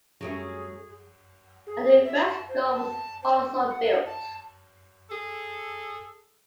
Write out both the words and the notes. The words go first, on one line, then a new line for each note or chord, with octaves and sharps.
A new west door was also built.
F#2 F#3 G3 A3 C#4 G#4
G#4
E5
A5
C5
A5
C5
F#5
F#5
A5
G#4 A4